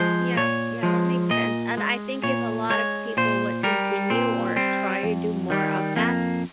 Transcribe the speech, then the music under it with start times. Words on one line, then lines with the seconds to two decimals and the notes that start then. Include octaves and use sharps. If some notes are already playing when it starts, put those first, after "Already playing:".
Yeah, yeah, that makes sense, and I think if a lot of people would continue or try to do more of that,
Already playing: F3 G#3 C5
0.37 A#2 C#5
0.83 F3 G#3
1.30 A#2 D#5
1.77 G#3
2.23 A#2 C#5
2.70 G#3 C#5
3.17 A#2 C5
3.63 G3 A#4
4.10 A#2 C4
4.56 G3 C4
5.03 F2
5.50 D#3 G3
5.96 F2 A#3